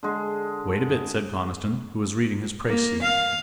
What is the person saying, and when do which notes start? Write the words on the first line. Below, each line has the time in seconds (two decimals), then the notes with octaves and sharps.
"Wait a bit," said Conniston, who was reading his precis.
0.03 D3 G#3
2.67 A#3
3.02 F5